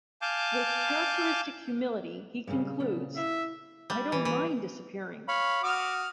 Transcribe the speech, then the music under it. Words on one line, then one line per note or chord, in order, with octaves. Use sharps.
With characteristic humility, he concludes, I don't mind disappearing!
F5 G#5 A5 D6 G6
A#2 C#3 G3 G#3 C#4
F#2 B3 D4
E4 E5 F5
G3
E3
E3
C#5 F5 B5
F#4 D6 D#6 F6